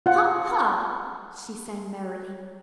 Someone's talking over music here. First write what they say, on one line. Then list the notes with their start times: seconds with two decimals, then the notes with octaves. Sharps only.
"Ha, ha!" she sang merrily.
0.06 F4 F#5